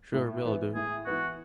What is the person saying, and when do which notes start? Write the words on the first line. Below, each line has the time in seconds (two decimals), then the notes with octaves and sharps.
Sure, we all do!
0.14 A2
0.45 E3 B3
0.75 A2 G#4
1.06 E3 B3 F#4